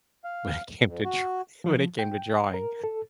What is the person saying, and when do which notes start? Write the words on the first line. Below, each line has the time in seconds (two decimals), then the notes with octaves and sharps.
when it came to dr when it came to drawing.
0.24 F5
0.87 F2
1.05 F#4
1.64 F3
1.99 G5
2.54 A#4
2.84 A4